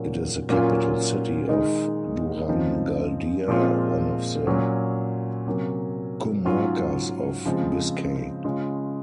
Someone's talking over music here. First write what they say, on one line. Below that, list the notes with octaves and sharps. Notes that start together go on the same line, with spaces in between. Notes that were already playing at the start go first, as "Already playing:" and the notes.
It is the capital city of Durangaldea, one of the "comarcas" of Biscay.
Already playing: A#2 F#3 A#3 C#4 F4
A#2 F#3 A#3 C#4 F4
D#3 G#3 D#4
F#2 F3 C4 D#4
A#2 F3 G#3 C4 F4
A#2 F#3 C#4
C3 F#3 A#3 C#4
G#2 F#3 C#4 F4
C#3 F3 G#3 C4
C#3 G#3 C#4 F4